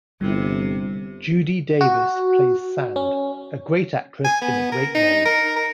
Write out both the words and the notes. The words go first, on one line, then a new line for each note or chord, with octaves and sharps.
Judy Davis plays Sand-a great actress in a great role.
G1 C3 G3 E4
F#4
C#4
G#5
B3
A#4
D#4
A#4
A#4